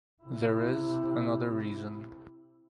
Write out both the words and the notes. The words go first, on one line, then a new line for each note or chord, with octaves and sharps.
There is another reason.
C3 E4